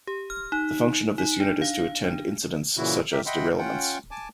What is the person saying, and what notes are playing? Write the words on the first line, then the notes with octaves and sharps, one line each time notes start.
The function of this unit is to attend incidents, such as derailments.
G4
F6
D#4
D#4
D4
F5
D4
A#2 C#3 E3 E4 F#4
G4 A#4 E5
D#5 E5 F#5 G5 B5 C6
C#4 F4 F#5 G5
G#5 A5 D6